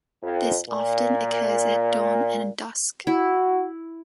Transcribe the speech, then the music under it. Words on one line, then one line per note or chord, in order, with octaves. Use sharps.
This often occurs at dawn and dusk.
F2
A#2
E4 F#4